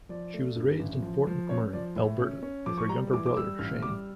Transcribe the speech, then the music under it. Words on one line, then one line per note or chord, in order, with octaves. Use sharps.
She was raised in Fort McMurray, Alberta, with her younger brother, Shane.
F3 D5
A3
G2
A1
F3
F3
C#4 C#5
F3 D5
A2
C#4
C#4
F3 D6
C#6
G3 A#5
E3 D6
D6
G3 E6
A1 F6
G3 D6